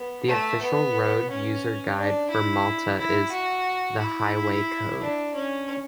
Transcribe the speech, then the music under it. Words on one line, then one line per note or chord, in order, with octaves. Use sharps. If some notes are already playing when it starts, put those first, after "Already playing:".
The official road user guide for Malta is "The Highway Code".
Already playing: B3
A3
B3
C#4
D4
E4
E4
F#4
E4
D4
C#4